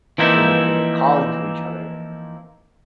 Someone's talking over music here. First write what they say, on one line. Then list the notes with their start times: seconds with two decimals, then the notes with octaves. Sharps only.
and they're, like, calling to each other.
0.18 E3 F3 A#3 C4 D#4 E4